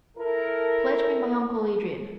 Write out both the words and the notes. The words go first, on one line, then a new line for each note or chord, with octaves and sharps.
Pledge me my uncle Adrian!
E4 A4 A#4